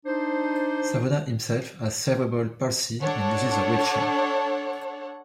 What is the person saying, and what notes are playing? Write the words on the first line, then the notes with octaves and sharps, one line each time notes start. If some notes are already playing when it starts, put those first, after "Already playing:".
Savona himself has cerebral palsy and uses a wheelchair.
D4 D#4 C5
D4 A4 C#5 F#5